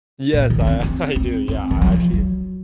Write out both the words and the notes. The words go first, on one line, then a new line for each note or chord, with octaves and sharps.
Yes, I I do, yeah, I actually
A#2
D#3
C#4
C4
C4
C4
C4
D#3
F#3
F3
F#3